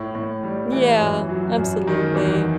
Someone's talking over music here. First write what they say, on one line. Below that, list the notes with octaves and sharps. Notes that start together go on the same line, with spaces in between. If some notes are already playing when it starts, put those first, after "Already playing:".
Yeah, absolutely.
Already playing: A2
A2
G3
E3
F#2
F#3
F#2
D#3
E2